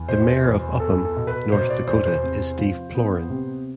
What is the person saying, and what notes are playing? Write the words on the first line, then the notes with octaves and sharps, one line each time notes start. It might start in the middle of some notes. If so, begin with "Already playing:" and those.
The Mayor of Upham, North Dakota is Steve Plorin.
Already playing: E2
B2 C5
E2
B3 A4
A4
B2
B4
B2 C5
D5
E2 C5
C5
C3
F3
B3
C3